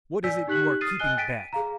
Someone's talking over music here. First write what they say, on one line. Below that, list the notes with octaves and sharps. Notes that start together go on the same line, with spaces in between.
What is it you are keeping back?
D5 G#5 E6 G6 B6
D#4 G4 F#6 B6 F#7
D#6 F6 A6 C7 D#7
D#5 G#5 F#6 G7
G5 A6 B6 D7 D#7
G#4 F5 A#5